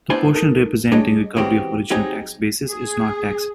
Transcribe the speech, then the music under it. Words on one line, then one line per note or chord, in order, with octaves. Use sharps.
The portion representing recovery of original tax basis is not taxable.
A3 B3 D4 E4 C5 G#5
D#4 A4 A#4
G3 D4 G#4 C#5 D#5
C#2 C#3 E3 C4 F#4 G4
F#3 C4 D#4 G4 G#4
G#4